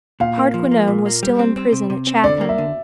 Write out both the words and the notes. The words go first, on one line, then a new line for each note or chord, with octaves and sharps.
Hardquanonne was still in prison at Chatham.
A#2 F5
A#3
F3
A#3
A#2
A#3
G3
C4
C4
C3
C3
C4
D3 D5
A#3
E5
D3